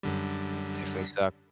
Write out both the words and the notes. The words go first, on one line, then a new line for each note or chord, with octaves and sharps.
Definitely suck.
F#2 D3 G3